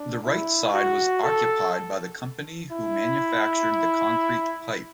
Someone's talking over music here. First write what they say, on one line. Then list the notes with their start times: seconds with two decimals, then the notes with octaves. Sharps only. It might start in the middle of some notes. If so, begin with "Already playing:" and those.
The right side was occupied by the company who manufactured the concrete pipe.
Already playing: D4
0.24 E4
0.73 F#4
1.23 A4
2.72 E4